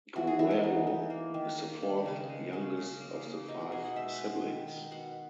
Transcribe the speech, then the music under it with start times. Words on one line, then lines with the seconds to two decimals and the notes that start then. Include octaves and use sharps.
Guerrero is the fourth youngest of the five siblings.
0.16 E3 F#4
0.27 G#4
0.39 E3 E4
0.51 D#4
0.64 B3
0.87 E3
1.10 A#3
1.34 D#3
1.58 A#3
1.83 D#3
2.05 C#3
2.29 G#3
2.53 C#3 C#4
2.77 C#3
3.01 A#3
3.25 A#3
3.48 B2 D#4
3.61 F#4
3.72 B2 G#4
3.85 F#5
3.96 G#3 E5
4.20 B3
4.44 D#3
4.68 D#3
4.91 B2 F#5